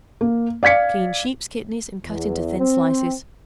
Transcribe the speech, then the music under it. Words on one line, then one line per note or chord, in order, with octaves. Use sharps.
Clean sheep's kidneys and cut into thin slices.
A#3
D5 F5 G#6 B6 C#7
E2
C4